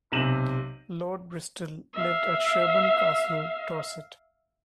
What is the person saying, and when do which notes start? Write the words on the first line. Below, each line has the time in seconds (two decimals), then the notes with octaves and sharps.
Lord Bristol lived at Sherborne Castle, Dorset.
0.12 B1 C3 D#7 E7 F#7
1.93 E5 F5